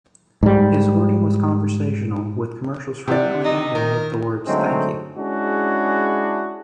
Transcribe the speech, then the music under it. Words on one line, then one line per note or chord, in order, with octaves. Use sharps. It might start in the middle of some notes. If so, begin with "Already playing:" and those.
His wording was conversational, with commercials frequently ending with the words "Thank You".
G#2 G3
C3 G4 D5 F#5
D#4 D#5
D#3 A#4
D3 F#3 G#3 A3 C4 D#4
G#3 C#4 D4 E4 F#4 G#4